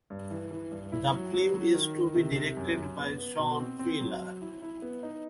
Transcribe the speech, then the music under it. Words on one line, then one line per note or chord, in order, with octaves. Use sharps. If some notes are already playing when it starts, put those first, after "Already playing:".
The film is to be directed by Shawn Piller.
G2
E3
E3
G2
E4
F#3
F#3
F#3
D#3
D#3
C3
C3
F#2
F#2
B3
B3
B2
C4
C4
F#3
F#3
E4
E4
B3
D#4